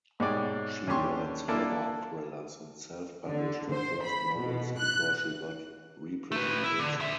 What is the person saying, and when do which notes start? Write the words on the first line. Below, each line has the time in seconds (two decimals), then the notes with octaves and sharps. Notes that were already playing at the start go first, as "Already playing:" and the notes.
She writes horror thrillers and self published her first novels before she got representation.
0.20 G#2 B2 D#4 G4 C#5 D5
0.87 D#2 C#4 D4 G4 C6 C#6
1.48 A#3 D4 E4 F4 A4
3.26 D3
3.71 C5
4.03 B5
4.35 B2
4.78 F#6
6.32 A3 B4
6.64 E4
6.79 D3
7.00 D3 E5